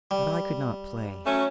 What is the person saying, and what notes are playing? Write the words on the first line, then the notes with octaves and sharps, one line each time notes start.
But I could not play.
G3
F#3 A3 C#4